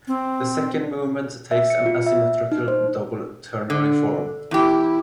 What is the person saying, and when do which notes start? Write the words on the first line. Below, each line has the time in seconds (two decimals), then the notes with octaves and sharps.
The second movement takes an asymmetrical-double-ternary form.
0.07 C4
1.51 E5
1.70 C#7
1.86 F4
2.06 E5
2.52 D#4
2.68 C5
3.70 D3
4.51 E2 E4 G4